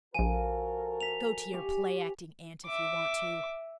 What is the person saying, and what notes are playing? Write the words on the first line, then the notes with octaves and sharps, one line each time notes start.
Go to your play-acting aunt if you want to.
A#1 F3 F#4 A4 A#4 G#5 D#7
B6 F7
G4 G#5 C#6
E5 D6